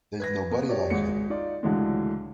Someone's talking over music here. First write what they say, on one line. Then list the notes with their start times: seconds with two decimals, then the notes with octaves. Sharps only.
There is nobody like him.
0.20 B4 G#6 A#6
0.50 A#3 B3
0.69 G3 G4 C#5 D5
0.90 G#1 G#3 C#7
1.30 D#4 F4 D5
1.63 C#2 A2 D3 E3 F#3 G#3